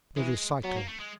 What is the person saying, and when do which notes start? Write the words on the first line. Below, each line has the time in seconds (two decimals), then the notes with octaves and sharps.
The Recital.
0.17 E3 G#3
0.64 F#3 B3
0.76 A#3
0.88 A3
0.99 G#3